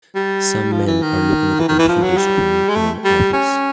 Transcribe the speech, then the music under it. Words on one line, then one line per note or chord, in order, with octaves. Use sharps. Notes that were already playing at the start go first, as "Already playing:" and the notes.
Some men are looking at a computer screen in an office.
G3
F3
E3
D#3
E3
D#3
E3
F3
F#3
G3
G#3
A3
G3
C#4